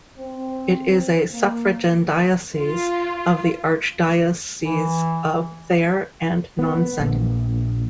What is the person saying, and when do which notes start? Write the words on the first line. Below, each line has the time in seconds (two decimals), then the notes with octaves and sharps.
It is a suffragan diocese of the archdiocese of Thare and Nonseng.
0.17 C4
1.32 A#3
2.56 F4
4.63 E3
6.59 B3
7.00 A#1